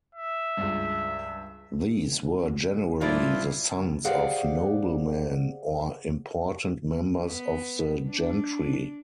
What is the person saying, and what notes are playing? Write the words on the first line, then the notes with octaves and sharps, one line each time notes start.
These were generally the sons of noblemen or important members of the gentry.
E5
C#2 G2
A1 G2 D3 F3 E4 F4 A#4 D5
G4 G#4 C5 D5 F5 F#5
B3
D4